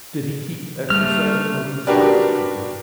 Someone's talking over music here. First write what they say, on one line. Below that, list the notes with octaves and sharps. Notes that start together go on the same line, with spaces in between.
did he keep exercising while he was hurt? Or
G3 A3 A#3 F6
D4 F#4 G4 A#4 B4 D5